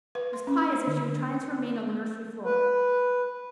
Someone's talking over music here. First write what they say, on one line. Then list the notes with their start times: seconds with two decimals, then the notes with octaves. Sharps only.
It was quite as if she were trying to remain on the nursery floor.
0.15 B4
0.33 C6
0.47 C#4
0.72 D4
0.87 D3
2.45 B4